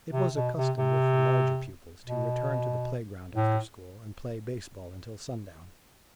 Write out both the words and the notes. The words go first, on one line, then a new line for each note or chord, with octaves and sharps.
It was a custom with the larger pupils to return to the playground after school, and play baseball until sundown.
C3
B2
C3
C3
B2
A2